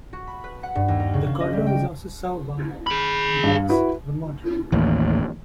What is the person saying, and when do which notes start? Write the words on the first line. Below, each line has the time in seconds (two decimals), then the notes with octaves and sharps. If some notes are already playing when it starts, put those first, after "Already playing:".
The corridor is also served by Amtrak's Vermonter.
0.13 F#4
0.27 B5
0.44 B4
0.63 F#5
0.75 G2
0.88 D#2
1.00 A#4
1.14 C#3
1.26 C#3
1.40 D#5
1.53 G3
1.66 G5
2.87 G#4 B5
3.43 G2 F5
3.69 E4 F#4 B4
4.72 A1 D#2